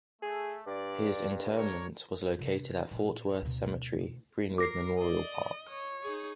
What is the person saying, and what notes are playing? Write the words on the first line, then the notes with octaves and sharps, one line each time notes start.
His interment was located at Fort Worth's cemetery Greenwood Memorial Park.
A3 G#4
G2 D5
D4 A#4 C#5
C3 C#4
A#2 C4
D2 B2
A#4 D6 A#6 C7
D5 D#5
C#5
D#4 G#4